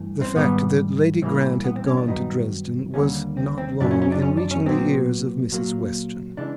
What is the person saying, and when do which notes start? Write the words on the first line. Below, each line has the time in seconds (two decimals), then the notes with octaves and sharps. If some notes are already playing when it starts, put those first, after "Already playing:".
The fact that Lady Grant had gone to Dresden was not long in reaching the ears of Mrs. Western.
Already playing: G2 E3 A3
0.21 C4
0.36 G#2 D#3 G3 B3
1.22 A2 E3 G3 A#3 C4
1.64 B3
1.76 C4
1.86 C#4
1.97 D4
2.07 G2 D#3 F#3 B3 D#4
2.94 D#2 D3 G3 A#3 C#4
3.37 C4
3.58 C4
3.80 F#2 C#3 F#3 A3 D4
3.91 C#4
4.02 C#4
4.12 D4
4.22 C#4
4.37 D4
4.51 C#4
4.66 A#2 F#3 B3 C4
5.52 A#2 F#3 A#3
6.37 C#3 E3 G#3 D4